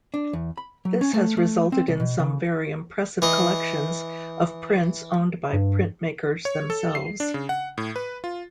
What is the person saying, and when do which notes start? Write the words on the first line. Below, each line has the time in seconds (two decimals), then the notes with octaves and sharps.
This has resulted in some very impressive collections of prints owned by printmakers themselves.
0.14 D4
0.33 E2
0.57 B5
0.85 F#3
1.01 C#4
1.14 A3
1.37 A3
1.72 C4
1.88 C2
2.00 B2
2.20 C#3
3.22 E3 D#5
5.53 G2
6.45 C#5
6.70 A4
6.95 C7
7.20 D4
7.34 C#3
7.49 F#5
7.78 A2
7.96 B4
8.24 F4